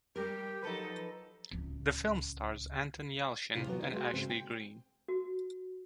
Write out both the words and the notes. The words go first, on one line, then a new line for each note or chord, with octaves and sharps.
The film stars Anton Yelchin and Ashley Greene.
G3 G4 A#4
F3 F#3 D#4 A4 B4
D1 C#2
D2 A2 C3 E4 F4
E3 F#3 B3
B3 D#4
G#3 F#4
G#2 C#3 G#3 C4
G5
F#4